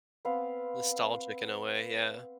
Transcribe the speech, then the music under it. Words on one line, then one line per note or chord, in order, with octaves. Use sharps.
Nostalgic in a way, yeah.
B3 C4 B4 F5